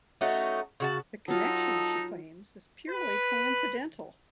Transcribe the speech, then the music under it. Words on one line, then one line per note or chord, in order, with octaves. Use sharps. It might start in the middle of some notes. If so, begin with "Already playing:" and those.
The connection, she claims, is purely coincidental.
A3 C#4 D#4 F#4
C#3 F#4 A5
F#3 D#4 F4 A4
B4